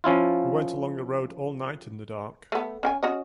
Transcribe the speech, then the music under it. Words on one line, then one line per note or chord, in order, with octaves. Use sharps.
We went along the road all night in the dark.
F3 C#4 E4 F4
A3 B3
C#4 G5 G#5
C#4 F#4 D#5